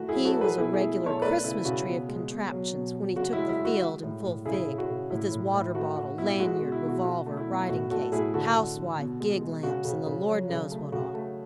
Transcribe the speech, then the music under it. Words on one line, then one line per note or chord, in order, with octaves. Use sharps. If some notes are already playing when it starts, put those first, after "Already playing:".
He was a regular Christmas-tree of contraptions when he took the field in full fig, with his water-bottle, lanyard, revolver, writing-case, housewife, gig-lamps, and the Lord knows what all.
Already playing: E3 A3 F#4
E4 G#4
F#3
F#4 A4
F#3
G#4 B4
B2 E4 G#4
E4 G#4
A3
B2
A4 C#5
A3 B4 D5
C#3 E4
C#3 F#4
B2
G#3
B2
F#3
B2
F#3
C#3 F#4
E4
G#3
E4
G#3
F#4
G#3
A2
A2
C#3 E4 G#4
C#3
F#4
C#3
A2 E4
A2
A2
A3 F#4
A3 F#4
B2 E4
G#3 F#4
F#4
B2
E4
B2
F#4
B2 F#4
A3
E4
B2
A2 F#4
A2 F#4 A4
A2 E4 G#4
D3 F#4 A4
D3
D3
B2
G#3
G#3
C#3 F#4
C#3
C#3
F#3
C#3
A3
C#3 F#4
A3